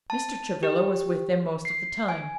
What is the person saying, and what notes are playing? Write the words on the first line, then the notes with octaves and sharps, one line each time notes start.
Mr. Travilla was with them most of the time.
A5
G4
C7
G#5